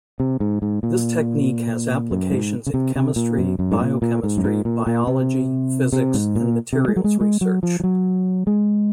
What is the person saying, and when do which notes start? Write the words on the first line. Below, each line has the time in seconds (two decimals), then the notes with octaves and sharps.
This technique has applications in chemistry, biochemistry, biology, physics and materials research.
0.20 C3
0.40 G#2
0.62 G#2
0.83 A#2
2.11 F#2
2.31 G#2
2.67 C#3
2.74 C3
2.96 C3
3.16 A#2
3.38 F#2
3.59 F#2
3.72 G#2
3.80 A#2
4.02 A#2
4.23 G#2
4.37 F#2
4.44 G#2
4.65 A#2
4.87 A#2
5.07 C3
5.93 C3
6.14 G#2
6.35 A#2
6.73 C3
6.88 G#3
6.96 F#3
7.04 G#3
7.21 G#3
7.41 F#3
7.63 F3
7.80 F3
7.84 F#3
8.47 G#3